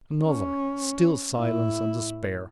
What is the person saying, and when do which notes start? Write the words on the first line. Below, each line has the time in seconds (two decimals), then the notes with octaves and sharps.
Another--still silence and despair!....
0.23 C#4
1.32 A2 E4